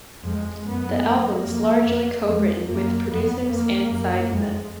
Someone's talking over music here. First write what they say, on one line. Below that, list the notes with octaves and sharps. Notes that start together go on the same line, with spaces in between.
The album was largely co-written with producers and sidesmen.
F2 G#3
F#2 B3
F#2 A#3
F2
F2
F2 G#3
F#2 A#3
F2 B3
F2 A#3
F#2
F2 G#3